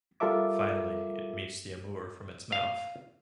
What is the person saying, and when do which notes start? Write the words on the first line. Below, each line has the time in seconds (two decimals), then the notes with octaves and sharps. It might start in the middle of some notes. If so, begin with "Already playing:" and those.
Finally it meets the Amur from its mouth.
0.20 G3 F4 A4 A#4 E5 D6
2.52 F5